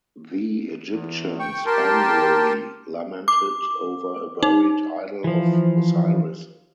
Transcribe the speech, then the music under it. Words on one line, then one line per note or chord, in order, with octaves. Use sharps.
The Egyptians annually lamented over a buried idol of Osiris.
E2
G5 C#6
G4 A#4 G5 A5 C6
D6
D#4
E3 F3